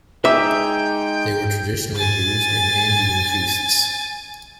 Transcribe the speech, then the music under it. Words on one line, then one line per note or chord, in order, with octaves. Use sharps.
They were traditionally used in Andean feasts.
G#3 D#4 E5 G5 D6
G#5 A6